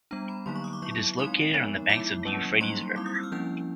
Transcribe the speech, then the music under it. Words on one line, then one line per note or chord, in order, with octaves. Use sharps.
It is located on the banks of the Euphrates River.
G3 B3 D4 A#5
B5
D3 F#3 A#3 D#4 C6
C#6
D#6
D6
F#3 B3 E4 C#6
G#3 C4 D#4 C6
F3 G#3 B3 D#4
G#3 B3 E4 D6
F#3 A#3 C#4 E4
G3 A#3 D#4 C6
G3 C4 E4 D6
D#6
E6
F6
F3 A#3 C#4 E4 G6